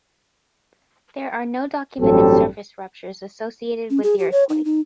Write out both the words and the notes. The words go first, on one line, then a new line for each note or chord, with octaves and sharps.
There are no documented surface ruptures associated with the earthquake.
A1 G2 F#3 G3 C4 A4
C#4
G#4
G4
C#5
D#4
D#4